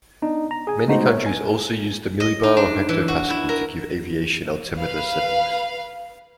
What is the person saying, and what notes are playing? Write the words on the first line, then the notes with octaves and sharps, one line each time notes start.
Many countries also use the millibar or hectopascal to give aviation altimeter settings.
B3 D4 D#4
A#5
G#4 G#5
G#3 A3 B3 D#4 F#4 C5
C#5 E5
G#5
D#5
D#4
D4
E3
F#4
E4
A#4
B4 F5